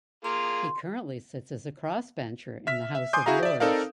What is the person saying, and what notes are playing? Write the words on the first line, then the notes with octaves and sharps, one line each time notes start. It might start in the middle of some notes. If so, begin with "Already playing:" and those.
He currently sits as a crossbencher in the House of Lords.
A#3 F4 G#4 C6
E5 F6 B6
E5
G#5 C6 D6 D#6 G6
E4 F#4 G#4 E5 F5 A#5
D5 E5
C4 D#4 A4 A#4 D5 F5